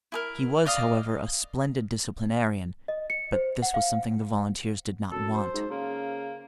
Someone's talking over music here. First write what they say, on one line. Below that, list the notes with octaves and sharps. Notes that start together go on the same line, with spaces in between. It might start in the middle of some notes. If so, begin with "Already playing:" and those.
He was, however, a splendid disciplinarian, but this was something the volunteers did not want.
E4 G#4 A#4
D5 D#5 F5 D#6
D#5
C#7
C5
F#5
F5
F#2 A4
C5
G#2
C#3 A#3